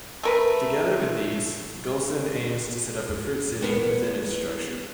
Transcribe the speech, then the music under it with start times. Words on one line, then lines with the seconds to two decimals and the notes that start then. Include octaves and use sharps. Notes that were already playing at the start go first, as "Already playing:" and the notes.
Together with these, Gulsan aims to set up a fruit city within its structure.
0.23 A3 A#4 B4
3.61 E2 B3 A#4